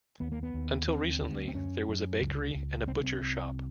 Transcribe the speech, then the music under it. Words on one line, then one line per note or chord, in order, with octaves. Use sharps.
Until recently there was a bakery and a butcher's shop.
D#2 B3
A#3
B3
D#2
D2 C4
D2
C4
F#2 C#4
F#2
C#2
C#2
C2 C4
C#4
C4
C2